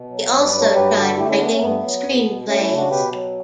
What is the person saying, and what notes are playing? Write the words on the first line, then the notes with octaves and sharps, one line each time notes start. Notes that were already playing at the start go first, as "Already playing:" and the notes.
He also tried writing screenplays.
Already playing: B2
F#3
G2
B4 D5
F#3
A4 C#5
G2 G4 B4
D3 F#4 A4
A3 E4 G4
C#4 E4
A3 B3 D4
C#4
G2 B3
F#3
E2
B2
A3 C#4
C#4 E4
C#3
D4 F#4
B2 G4 B4
F#3